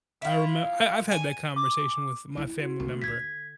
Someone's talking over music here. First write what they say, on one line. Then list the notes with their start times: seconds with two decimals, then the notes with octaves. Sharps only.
I remember I I've had that conversation with my family member
0.22 E4 F4
1.11 G#5
1.56 D6
2.37 E4
2.59 F#4
2.80 D2
3.02 D3 G#6 B6